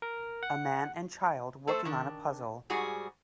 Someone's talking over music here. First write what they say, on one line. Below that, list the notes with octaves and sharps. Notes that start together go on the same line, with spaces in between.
A man and child working on a puzzle.
A#4
F#5
A3 A4 C5
D#3 D4
G#2 G3 F#4 G#4